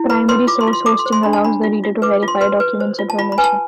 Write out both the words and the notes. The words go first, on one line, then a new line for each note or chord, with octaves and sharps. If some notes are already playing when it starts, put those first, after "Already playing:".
Primary-source hosting allows the reader to verify a document's information.
Already playing: E4
B4 B5
B4 C6
F4 D6
C6
F4
C6
A4 D6
C6
C5
C6
D4 B5
A5
D4 B5
F4
F4
B4 D6
F4
C6
B4 C6
B4
C5
F4
A5
F4 B5
B5
B4 G#5
A5